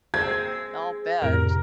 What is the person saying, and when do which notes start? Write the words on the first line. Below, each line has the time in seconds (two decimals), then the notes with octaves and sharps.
I'll bet.
0.14 G#3 C4 G#6
1.22 F2 A2 C3 A#4